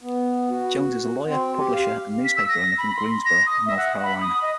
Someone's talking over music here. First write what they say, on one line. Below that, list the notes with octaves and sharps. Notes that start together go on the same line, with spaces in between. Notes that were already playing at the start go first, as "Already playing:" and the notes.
Jones is a lawyer, publisher and newspaper owner from Greensboro, North Carolina.
B3
F#4
C4
G4
F5
B6
E6
A#6
B5
C6
A#6
D#6
E5
F#5
B5
D#6
D#5